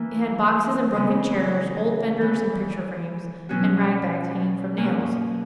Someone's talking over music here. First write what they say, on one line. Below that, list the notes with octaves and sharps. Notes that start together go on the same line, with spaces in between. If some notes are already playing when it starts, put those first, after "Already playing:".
It had boxes and broken chairs, old fenders and picture-frames, and rag-bags hanging from nails.
Already playing: E3 A#3 E4
C#3 E3 G#3 B3
E3 G#3 B3
B2 F#3 C#4 F#4
B2 A#3 C#4